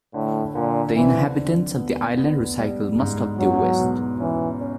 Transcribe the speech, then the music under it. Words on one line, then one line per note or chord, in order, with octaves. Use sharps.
The inhabitants of the island recycle most of their waste.
A2 D3
A#2 D3
E3 C4
D3
B3
B3
G3
G#2
E2 F#3
B2
E3 C#4
C#4